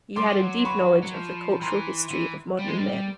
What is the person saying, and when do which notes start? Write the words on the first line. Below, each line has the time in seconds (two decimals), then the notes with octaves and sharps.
He had a deep knowledge of the cultural history of modern man.
0.16 G3 C6 D6
0.26 G#3
0.33 G3
0.40 F#3
0.65 B5 C#6
1.03 F#3
1.14 F3
1.61 E3 A#5 C6
2.11 E3
2.59 G3
2.68 G#3
2.77 G3